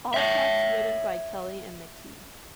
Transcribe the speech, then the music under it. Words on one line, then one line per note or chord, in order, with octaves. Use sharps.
All tracks written by Kelly and McKee.
C#5 E5